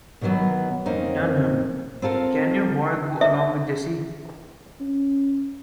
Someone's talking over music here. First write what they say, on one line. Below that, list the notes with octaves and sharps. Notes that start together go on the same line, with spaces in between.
Dunham, can your boy go along with Jesse.
B2 D#3 E3 F#3 B3
F2 A#3 C4 C#4 D#4
C4 F4 A4 A#4
E5
C#4